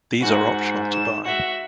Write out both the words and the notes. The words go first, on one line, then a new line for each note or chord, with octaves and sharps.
These are optional to buy.
G#2 F#4
E7
F#4 E5